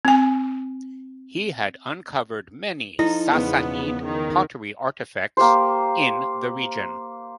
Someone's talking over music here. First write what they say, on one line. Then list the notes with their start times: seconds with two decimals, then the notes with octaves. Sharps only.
He had uncovered many Sassanid pottery artifacts in the region.
0.05 C4 G#5
2.99 F3 D#4 E4 A4
3.31 E2 C#3 F3 B3
4.05 D#3
5.37 A#3 G4 C5